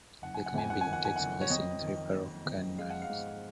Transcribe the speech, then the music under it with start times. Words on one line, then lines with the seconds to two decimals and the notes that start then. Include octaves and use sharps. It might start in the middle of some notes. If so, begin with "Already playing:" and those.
The climbing takes place in three parallel canyons.
0.22 F#1 F#5
0.34 G#5
0.46 F#5
0.54 F2 G#5
0.70 F#5
0.81 G#5
0.86 D#3
0.93 F#5
1.05 G#5
1.16 F#1 F#5
1.41 C#5
1.50 F2 D#5
1.82 D#3
2.14 A#3
2.46 F2
2.78 G#3 F5
2.90 F#5
3.02 F5
3.09 G#2